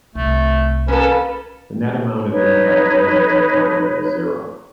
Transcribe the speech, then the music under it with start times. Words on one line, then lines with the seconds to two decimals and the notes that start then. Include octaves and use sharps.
The net amount of inside money in an economy is zero.
0.15 C2 A3
0.88 A#3 C#4 A4 B4
2.30 D#4 B4 C#5